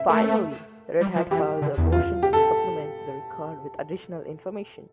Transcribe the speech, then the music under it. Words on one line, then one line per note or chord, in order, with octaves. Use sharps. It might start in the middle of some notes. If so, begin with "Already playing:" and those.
Finally, Red Hat filed a motion to supplement the record with additional information.
Already playing: E5
A3 A#4
G3
F3
E3 G4
D3
E2
F4
G4
A4